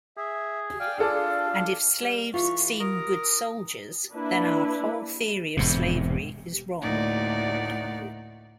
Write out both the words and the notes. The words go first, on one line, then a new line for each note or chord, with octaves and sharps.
And if slaves seem good soldiers, then our whole theory of slavery is wrong.
G#4 E5
D5 F5 G5 G#5
D4 F4 G#4 A4 D5 F5
G3
E3 F4 C#6
A#4 D#6
A#3 D4 E4 B4
E1 G#2 C3
D2 A2 A#3 D#4 D5 F#5